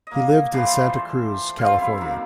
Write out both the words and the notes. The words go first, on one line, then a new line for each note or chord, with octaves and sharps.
He lived in Santa Cruz, California.
A#3 D#5
E3 F3 A3 D4
C5
C4 F4 F5 C6
F#2 E4
D#3 A#3